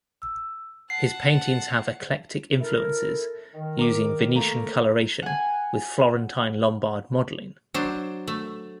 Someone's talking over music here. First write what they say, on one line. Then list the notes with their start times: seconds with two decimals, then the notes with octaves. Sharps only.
His paintings have eclectic influences using Venetian coloration with Florentine-Lombard modeling.
0.22 E6
0.90 F#5 A5 C7
2.60 E4 A4 A#4
3.55 D#3
3.79 A#4 D6
4.35 A3 A#3 A#5
5.23 F#5 G#5
7.74 F#3 D4 C5
8.28 A3